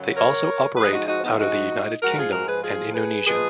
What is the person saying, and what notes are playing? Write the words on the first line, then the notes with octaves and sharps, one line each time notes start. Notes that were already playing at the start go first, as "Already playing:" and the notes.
They also operate out of the United Kingdom and Indonesia.
Already playing: F#2 C#3 F#3
A#4 C#5
G#2 F3 G#3 G#4 B4
D#4 F#4
D#4 F#4
B3 D#4
D#4 F#4
G#2 F3 G#3 F#4 A#4
F4 G#4
F#4 A#4
G#4 B4
F4 G#4
G#4 B4
A#2 F3 G#3 G#4 B4